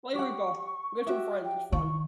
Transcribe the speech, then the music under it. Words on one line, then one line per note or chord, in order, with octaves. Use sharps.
Play Repo, with some friends, it's fun.
G4 F#5 C#6
F#4 G4 E5
G5
D#3 C#6